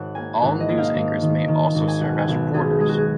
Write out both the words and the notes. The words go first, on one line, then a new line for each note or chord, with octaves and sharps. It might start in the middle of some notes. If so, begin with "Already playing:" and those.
All news anchors may also serve as reporters.
Already playing: G#1 C#5 F#5
A#3 G#5
G#1 F#5
D#5
A#3
F5
G#1
D#3
D#3
G#1
G#5
B1 F#5
G#5
B1
B1 G#4
G#3 G#4
F#4
G#4